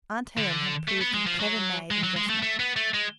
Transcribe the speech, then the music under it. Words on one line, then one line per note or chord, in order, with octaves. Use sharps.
Aunt Helen had proved a clever maid and dressmaker.
D3
A3
B3
G#3
F3
F#3
G#3
F#3
G#3
A3
A3
B3
A3
G#3